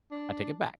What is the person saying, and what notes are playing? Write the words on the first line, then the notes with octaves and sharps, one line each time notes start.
I take it back."
D4